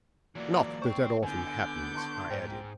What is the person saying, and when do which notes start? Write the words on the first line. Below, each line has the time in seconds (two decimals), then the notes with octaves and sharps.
"Not that that often happens," I added.
0.35 E3 F#3 A#3 D5
0.82 C5 G5 C#6
1.23 D3 B3 G#5 D6 G6
1.95 A5 C6 C#6
2.30 G#2 C5 G5